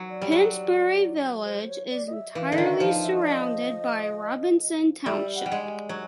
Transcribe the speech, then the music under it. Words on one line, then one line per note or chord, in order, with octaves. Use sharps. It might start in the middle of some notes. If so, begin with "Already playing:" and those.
Pennsbury Village is entirely surrounded by Robinson Township.
Already playing: F#3
D5
G3 C#5
F#3 D5
C5
C#5
D5
D#5
E5
E3 F5
D3 E5
D#3 F5
E5
F3 F5
E5
D#5
D5
D#5
G3 E5
F#5
G3
G#3
F#3